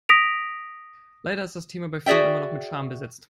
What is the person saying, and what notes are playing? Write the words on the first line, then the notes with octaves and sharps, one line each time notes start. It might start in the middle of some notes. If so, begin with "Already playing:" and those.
Leider ist das Thema bei vielen immer noch mit Scham besetzt.
D#6 A#6 B6 D7 F7
F#4 G#4 D5 E5 G5